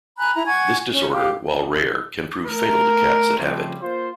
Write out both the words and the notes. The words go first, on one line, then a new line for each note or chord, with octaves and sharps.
This disorder, while rare, can prove fatal to cats that have it.
G#5 A#5 B5 F#6
E4 A#5
F#5 G#5 C#6 G#6
C#4
G4 F5
A3 A#4
C#3 F3 G3 A3 C4
A#3 F4 C5